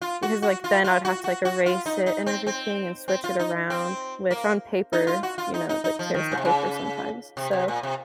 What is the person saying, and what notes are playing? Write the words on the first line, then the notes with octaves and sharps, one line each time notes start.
because, like, then I would have to, like, erase it and everything and switch it around, which on paper, you know, like, tears the paper sometimes, so,
F4
F#4
F#4
F4
F4
F#4
F#4
F#4
F4
D#4
D#4
C4
C4
C4
F4
D#4
C4
A#3
D#4
F4
F#4
F4
D#4
D#4
D#4
F3
D#3
A#2
C3
C#3
C3
C3
A#2
C3